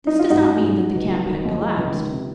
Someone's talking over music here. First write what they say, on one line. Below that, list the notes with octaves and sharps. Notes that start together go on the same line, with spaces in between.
This does not mean that the camp had collapsed.
D#4
F4
G#2 D#4 F#4
C#4
G#2
F#3
C#2
F#3
D#3
D#2
G#3
C#2
D#3
C3